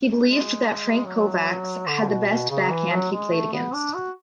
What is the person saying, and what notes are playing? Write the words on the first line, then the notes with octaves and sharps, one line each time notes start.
He believed that Frank Kovacs had the best backhand he played against.
G#3
F#3
D3
B2
B2
C#3
E3
F#3
G#3
A3
B3
D4
F#4